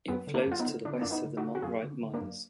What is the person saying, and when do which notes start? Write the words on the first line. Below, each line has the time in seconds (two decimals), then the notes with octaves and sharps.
It flows to the west of the Mont Wright mines.
0.08 F#2 B3
0.27 D3
0.34 A#3 D4
0.46 F#2
0.52 F4
0.59 B3 D#4
0.66 D3
0.85 D3 D4
0.93 B3
1.01 A#3 D4
1.04 F#2
1.11 B3 D#4
1.24 D3
1.37 D#4 F#4
1.44 D3
1.55 F#4
1.62 F#2 F4 G#4
1.82 D3
2.01 D3
2.14 A#3 D4
2.21 F#2